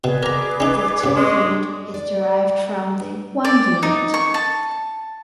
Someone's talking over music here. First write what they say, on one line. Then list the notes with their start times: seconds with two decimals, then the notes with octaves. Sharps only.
The 'two unit' is derived from the 'one unit'.
0.04 B2 G#4 B4 D5
0.23 A#4 A#5 D6
0.60 C#4 D#4
1.04 G2
1.16 G#3 C6 C#6 D#6
1.42 D4
1.94 D5
3.45 D5
3.83 D#4
4.14 C#6
4.34 A5